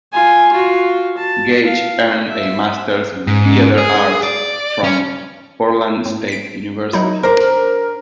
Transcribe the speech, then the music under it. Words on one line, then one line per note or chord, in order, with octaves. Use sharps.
Gage earned a masters in theater arts from Portland State University.
F4 G#5
F4 F#4
A5
F5
E5
G#2
G#4
D5
C#4
A2
B6 D7
F#3 D#4 E4 A#4
D4 A#4 C5